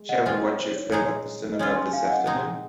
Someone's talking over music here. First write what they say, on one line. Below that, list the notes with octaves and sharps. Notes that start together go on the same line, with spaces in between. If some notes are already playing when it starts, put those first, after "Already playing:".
Shall we watch a film at the cinema this afternoon?
Already playing: G#3
D#5 F#5
G#3 C4 F4 C5 D#5
C#5
C5
C#5
A#2 G#3 D#4 G#4 C#5
D#5
G#3 C#4 F4 C#5
G#5 C6
F5 G#5
D#5 F#5
A#2 G#3 C4 D#4